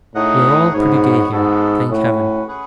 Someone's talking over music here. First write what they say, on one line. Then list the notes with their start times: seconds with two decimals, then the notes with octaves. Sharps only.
'We are all pretty gay here, thank Heaven!
0.15 A2 A3 D#4 G#4 D#5 F#5
0.73 G#2 B3 F#4 C#5
1.32 G#2 G#3 B3 F#4 A4
1.90 A2 C#4 F#4 B4
2.48 C#4 G#4 B4 F#5